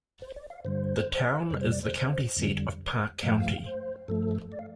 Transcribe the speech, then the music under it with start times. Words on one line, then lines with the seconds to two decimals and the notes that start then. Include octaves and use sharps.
The town is the county seat of Parke County.
0.22 C5
0.36 D5
0.50 F5
0.65 G2 D3 G3 C5
1.50 F2 C3 G3 C5
1.61 C5
1.72 D5
1.83 C5
2.37 F2 D3 G3
3.23 G2 F3 A3 F5
3.32 G5
3.40 F5
3.66 C5
4.08 G2 F3 A3 A4
4.52 D5
4.59 F5